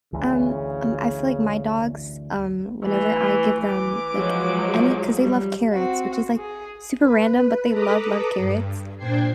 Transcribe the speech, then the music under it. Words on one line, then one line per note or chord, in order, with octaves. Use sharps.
Um, um, I feel like my dogs, um, whenever I give them, like, any 'cause they love carrots, which is, like, super random, but they love, love carrots,
D2 C#3 E3
E3 A3
E3 D6
F3 F#3 G#3
G3
C4 F#4
G#4
B4
A4 B4 A#5 B5 D6 D#6
G2
A#2 D4 C5 G5 G#6 C7